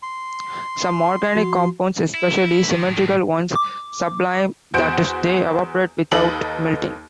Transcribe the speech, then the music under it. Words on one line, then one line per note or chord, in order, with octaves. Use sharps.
Some organic compounds, especially symmetrical ones, sublime, that is they evaporate without melting.
C6
F3 F#4
E4
D#3
A2 D#3
D6
E2 F#4 C5 G6 D7
D#2 D#4 A4 B4 F#7